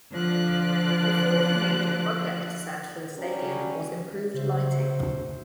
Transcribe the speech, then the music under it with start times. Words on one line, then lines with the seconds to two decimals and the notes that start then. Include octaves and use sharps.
The fourth major project set for the stadium was improved lighting.
0.12 D3 F3 F4 D5 F#6
3.16 F#3 G3 C#4
4.34 C#3 F#3 C5 E5